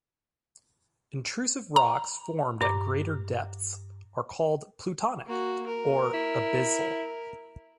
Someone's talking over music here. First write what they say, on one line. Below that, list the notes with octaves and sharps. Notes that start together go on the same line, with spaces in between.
Intrusive rocks formed at greater depths are called plutonic or "abyssal".
A#5
G2 A#5 D6
A#3 F#4
A#4
E4